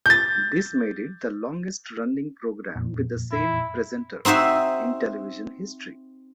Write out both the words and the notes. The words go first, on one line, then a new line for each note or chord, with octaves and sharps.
This made it the longest-running programme with the same presenter in television history.
G6 A6
F2 A#2
E4
C4 D#4 F#4 C5 E5